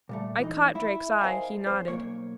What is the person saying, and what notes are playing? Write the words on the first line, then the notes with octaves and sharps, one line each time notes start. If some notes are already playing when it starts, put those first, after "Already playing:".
I caught Drake's eye; he nodded.
A#2 G3 A3
E3 D#4
E4 E5
A#4 C5 D5 D#5 F5 G#5
F2 C5
B1 A#3 C#5